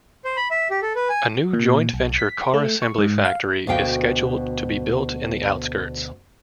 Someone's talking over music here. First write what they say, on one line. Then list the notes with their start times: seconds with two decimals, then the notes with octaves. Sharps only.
A new joint-venture car assembly factory is scheduled to be built in the outskirts.
0.25 C5
0.37 B5
0.51 E5
0.71 G4
0.82 A4
0.96 B4
1.09 G#5
1.53 A#2
1.94 B1
2.19 B6
2.54 A3
2.82 C#6
2.98 G#2
3.25 F5
3.67 D2 B2 F5 G5